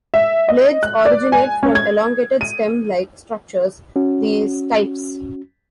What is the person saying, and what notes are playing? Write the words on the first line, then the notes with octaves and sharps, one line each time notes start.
Blades originate from elongated stem-like structures, the stipes.
E5
D#5
F#6
D5
G#5
C#4
G#6
D#7
C#4 F#4